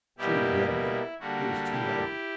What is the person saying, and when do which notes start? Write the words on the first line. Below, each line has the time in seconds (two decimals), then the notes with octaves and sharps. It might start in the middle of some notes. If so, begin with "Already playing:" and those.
She regretted it. It was too late.
0.18 B2 G3 A#3 E4 G4
0.69 E4
1.20 D3 G3 A#3 F#4
1.71 E4 G4